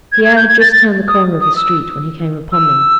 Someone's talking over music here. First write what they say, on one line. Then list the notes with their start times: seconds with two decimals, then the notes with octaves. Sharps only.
Pierre had just turned the corner of the street, when he came upon them.
0.12 G#6
0.25 G#6
0.36 G6
0.49 G#6
0.60 A6
0.72 A6
1.08 D#6
1.41 D#6
1.56 E6
2.52 E6